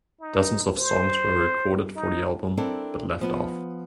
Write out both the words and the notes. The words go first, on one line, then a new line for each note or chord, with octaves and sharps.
Dozens of songs were recorded for the album but left off.
D#4
C5
D#4
C4 D4 E4 A4 A#4
F3 B3